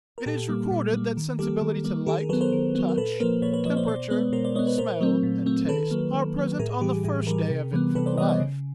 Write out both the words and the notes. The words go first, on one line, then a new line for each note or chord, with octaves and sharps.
It is recorded that sensibility to light, touch, temperature, smell and taste are present on the first day of infant life.
A#4
A#2 G4 A4
G3 A#3
A#2
G3 A#3
D#3
G3 A#3 G4 A4
D#3
G3 A#3
D#3 G4 A4
G#4 A#4
F#3 B3 A4 B4
A#4 C5
D#3
F#3 B3
A#4
A#2 A4 B4
F3 A#3 A#4 C5
A#2 B4 C#5
B4 C#5
F3 A#3 C#5 D#5
C5 D5
B2 C5 D5
G#3 B3 B4 C#5
B2 A#4 C5
C5 D5
G#3 B3 C#5 D#5
B4 C#5
A#2 A#4 C5
F#3 A3 C4
A#2
F#3 A3 C4
D#3 A4 B4
F#3 A#3
D#3
F#3 A#3
A2 G#4 A#4
G#4
E3 G3 G4
G#4
A2 G#4
E3 G3 G#4 A#4
C3
E3 G3 B3
C3 A4 B4
C5 D5
E3 G3 B3 C#5 D#5
C#5 D#5
C#3